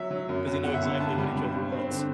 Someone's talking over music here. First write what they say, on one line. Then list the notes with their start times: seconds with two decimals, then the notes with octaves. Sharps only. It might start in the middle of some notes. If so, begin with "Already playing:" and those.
'cause you know exactly what each other wants.
Already playing: F#3 E5
0.11 F#3
0.29 F#2
0.46 F#2
0.64 G1 F#5
0.74 E5
0.82 G2 F#5
1.00 G2 A5
1.18 G3
1.36 G2
1.54 G2
1.72 C4
1.90 D3